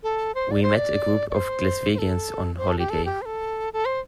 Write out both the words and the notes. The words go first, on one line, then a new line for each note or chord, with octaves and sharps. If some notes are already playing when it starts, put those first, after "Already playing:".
We met a group of Glaswegians on holiday.
A4
C5
D5
C5
D5
D5
C5
C5
A4
C5
A4
G4
A4
G4
C5
A4
A4
C5